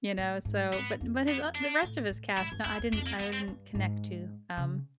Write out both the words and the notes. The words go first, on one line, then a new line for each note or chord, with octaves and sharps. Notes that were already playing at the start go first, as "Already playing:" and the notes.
you know, so. But but his o the rest of his cast, nah, I didn't I wouldn't connect to, um,
A2
G#2
G#2 B3
F2
B3
D4
A2
A2
G#2 E4
G2
F#2 E4
E2
F2 D4
A#3
F#2 B3
C4
G2
G#2
C#3